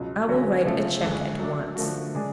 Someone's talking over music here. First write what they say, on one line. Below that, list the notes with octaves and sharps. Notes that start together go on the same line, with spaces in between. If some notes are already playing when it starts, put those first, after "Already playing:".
I will write a cheque at once.'
Already playing: C#2 B2 F#3
D3 F#3 C#4 F#4
C#3 F3 A3 F4 A4
D2 D3 G#3
F#3 A3 D4
D3 F3 A3 D4 F#4
C#3 G#3 D4 G#4